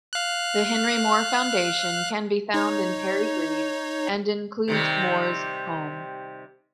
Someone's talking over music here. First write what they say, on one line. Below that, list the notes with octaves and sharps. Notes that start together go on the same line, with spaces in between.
The Henry Moore Foundation can be found in Perry Green, and includes Moore's home.
F5 F#6
D#4 C#5
C3 D#3 G3